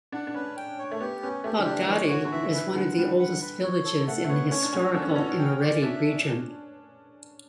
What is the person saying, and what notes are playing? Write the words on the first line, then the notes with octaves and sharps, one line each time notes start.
Baghdati is one of the oldest villages in the historical Imereti region.
D4 F#5
D4
C#4 B4
G5
C#5
A3
B3 G4
B3 C#4
A3 G4
D3
E3 D4
E3 C#5
E3 F#4
D3
E3 E5
B4
D3 F#5
G3 B4
F#5
B4
C#5
A4
A3 F#5
A3
B3 C#5
C#4 C#5
D4
C#4 F#4
D4 A4
C#4
B3
C#4 F#4
G5
D5
D4 E5